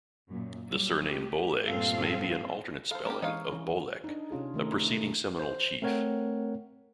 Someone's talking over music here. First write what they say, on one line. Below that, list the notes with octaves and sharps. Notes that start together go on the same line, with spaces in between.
The surname "Bowlegs" may be an alternate spelling of "Bolek", a preceding Seminole chief.
F#2 A#2
F#3 G3
A3 G4
G2 A#2 C4 F4 A4 F5
A4 C5 F5
G#3 A#3 C#4 G4 A#4
E3 G#3 D#4 C5 C#5 F5
E3 C#4
D4 D#4
C3 C#4 F4 G#4
D#3 A3 A#4
B2 A3
C5
A3 C4 A#4 C#5 F#5